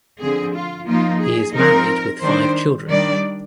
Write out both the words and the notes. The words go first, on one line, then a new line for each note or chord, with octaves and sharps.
He is married with five children.
D3 F3 C4 G#4
F4
F3 A#3 D#4 F4
G#4
F3 C4 D#4 A#4
D#3 G3 D4 C5
D#3 G3 D4 D5